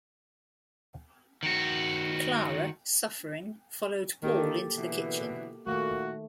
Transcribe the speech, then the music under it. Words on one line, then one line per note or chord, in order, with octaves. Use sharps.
Clara, suffering, followed Paul into the kitchen.
D#3 F#4
D#3 A#3 G4 A4
B2 D3 E3
A#2 D#3 A3 A#3 F#4